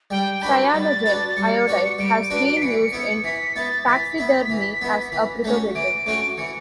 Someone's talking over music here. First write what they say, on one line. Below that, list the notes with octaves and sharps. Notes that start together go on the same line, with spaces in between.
Cyanogen iodide has been used in taxidermy as a preservative.
G3 G5
D4 F#4 B4 B5
G3 A6
D4 F#4 B4
G3 C#7
D4 F#4 B4
G3 D7
D4 F#4 B4
B6
E3 C#7
B3 E4
E3 B6
B3 E4 A6
E3 B6
B3 E4
E3
B3 E4
E3
A3 C#4 F#4
E3 D7
A3 C#4 F#4
E3 C#7